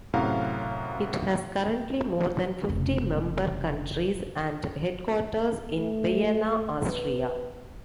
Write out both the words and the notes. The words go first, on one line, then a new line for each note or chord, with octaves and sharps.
It has currently more than fifty member countries and headquarters in Vienna, Austria.
F#2 A2 C3 F5 F#5 A#5
F1 C#3
A3
B4